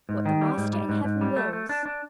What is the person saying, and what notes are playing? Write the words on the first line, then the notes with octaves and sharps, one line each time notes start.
"What the Master in heaven wills!"
G#2
D#3
G3
G#2
G3
G#2
G#2
G3
A3
A3
D4
D4